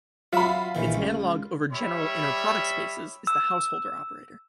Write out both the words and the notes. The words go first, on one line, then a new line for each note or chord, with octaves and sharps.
Its analogue over general inner product spaces is the Householder operator.
F#3 F4 E5 B5
A#1 D#3 E3
C#2
G3 C#5 E5 B5
E6